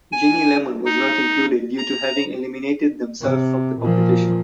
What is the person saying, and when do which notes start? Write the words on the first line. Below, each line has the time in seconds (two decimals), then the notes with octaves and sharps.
Ginny Lemon was not included due to having eliminated themself from the competition.
0.12 G#5
0.86 D#4
1.78 A#5
3.21 C3
3.81 A#2 F3